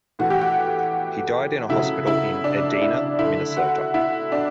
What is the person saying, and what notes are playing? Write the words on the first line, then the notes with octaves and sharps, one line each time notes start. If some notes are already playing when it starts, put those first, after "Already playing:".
He died in a hospital in Edina, Minnesota.
A2 E3 A3 F#4
G4
F#4
C#3 F#3 A3 E4
E4
D4
E4
D3 A3 E4
F#4
E4
D4